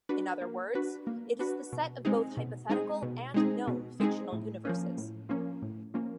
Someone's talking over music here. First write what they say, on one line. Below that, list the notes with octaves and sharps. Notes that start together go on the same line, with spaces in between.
In other words, it is the set of both hypothetical, and known fictional universes.
D4 F#4 B4
A#3
D4 F#4 B4
A#3
D4 F#4 B4
B2
G#3 C4 D#4 G#4
B2
G#3 C4 D#4 G#4
B2
G#3 C4 D#4 G#4
B2
G#3 C4 D#4 G#4
A2
F3 A#3 C#4
A2
F3 A#3 C#4
A2
F3 A#3 C#4